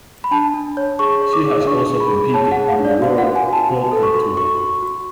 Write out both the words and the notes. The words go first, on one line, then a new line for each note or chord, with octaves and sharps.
She has also competed on the World Poker Tour.
B5
D4 A5
D4
C#5
G#4 C#6
C#5
D6
G#4
D4 C#6
G#4
B5
G#4
C#5 A5
F#5
G#4
F5
D4
D5
F#4 F5
F#5
F#4
G#5
F#4
A5
F#4
A4
C#6
F#4
F#4 C#6
F#4
F#4